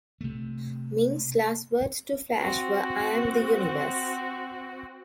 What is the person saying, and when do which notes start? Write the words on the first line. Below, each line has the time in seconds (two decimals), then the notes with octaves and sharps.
Ming's last words to Flash were I am the universe!
0.21 C3 A3
2.39 C4 F#4